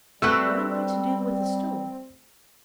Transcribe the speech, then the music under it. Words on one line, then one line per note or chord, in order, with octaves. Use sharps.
"What am I to do with a stone?"
G3 A3 C4 F#4 B4 E6 F#6